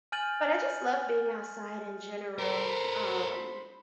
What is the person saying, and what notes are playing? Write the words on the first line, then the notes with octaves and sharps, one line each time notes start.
but, I just love being outside in general, um
G#5 F6 G6 A6 D#7 F#7
A4 A#4 C5 B5